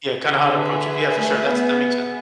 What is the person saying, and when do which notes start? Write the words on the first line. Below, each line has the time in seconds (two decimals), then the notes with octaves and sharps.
Yeah, kinda how to approach it. Yeah, for sure, that's that makes sense.
0.25 D3 G#4 B4 E5
1.15 A3
1.46 B3